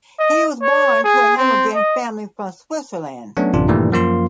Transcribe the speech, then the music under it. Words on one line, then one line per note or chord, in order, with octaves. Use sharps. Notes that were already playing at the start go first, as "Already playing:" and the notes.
He was born to an immigrant family from Switzerland.
D#5
C#5
G#4
C4
D#5
F#3 A3 B3 C#4 D4 F#4
A1 F#2 C3 E3 D4 F4
G2 A#2 D#3 E3 G3 A3
F#2 F3 A#3 F4 C6